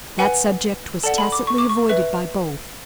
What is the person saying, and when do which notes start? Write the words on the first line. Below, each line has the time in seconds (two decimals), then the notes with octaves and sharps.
That subject was tacitly avoided by both.
0.19 B4 F#5 G#5
1.04 A4 D5 F#5 A5
1.18 B5
1.32 D6
1.47 C#6
1.58 D6
1.69 C#6
1.89 B4 E5